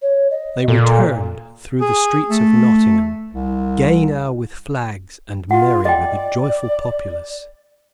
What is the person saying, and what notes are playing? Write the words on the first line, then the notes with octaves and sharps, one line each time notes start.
They returned through the streets of Nottingham, gay now with flags and merry with a joyful populace.
C#5
D#5
A#2 A4
G#4
A3
C2
F4 F#5
D5 D#5 G5